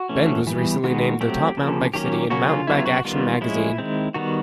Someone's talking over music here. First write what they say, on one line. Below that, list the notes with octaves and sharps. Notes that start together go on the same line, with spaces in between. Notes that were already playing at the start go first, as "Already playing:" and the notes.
Bend was recently named the top mountain bike city in Mountain Bike Action magazine.
Already playing: F#4
E3 A3 C#4
E3 G3 B3
D#3 G#3 B3 F#4
F#3 A3 C4 G4
C#3 F3 A#3
D#3 F#3 A#3 C#4 G4
C#3 F#3 A#3 C#4 F#4
F4
C#3 F#3 B3 E4
F4
F#4
D#3 G3 B3 F4
F3 G#3 C#4 E4
D#3 G#3 C4
D#3 G3 B3 F#4